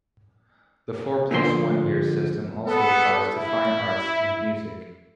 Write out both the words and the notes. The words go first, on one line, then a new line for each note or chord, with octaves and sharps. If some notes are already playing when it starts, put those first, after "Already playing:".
The four-plus-one-year system also applies to fine arts and music.
A#2 D3 F3 A#4 C6
B3 A4
E4